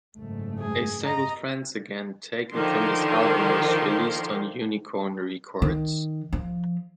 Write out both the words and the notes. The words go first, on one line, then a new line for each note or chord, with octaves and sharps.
A single "Friends Again" taken from this album was released on Unicorn Records.
F#1 G#2 A3
G#4
D#5 A#5
D3 D#3 F3 A#4 C6
D#3
F3